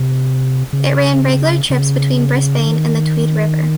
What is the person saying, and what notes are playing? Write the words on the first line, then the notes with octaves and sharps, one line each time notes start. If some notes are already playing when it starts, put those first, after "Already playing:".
It ran regular trips between Brisbane and the Tweed River.
Already playing: C3
C#3
C#3
D3
D#3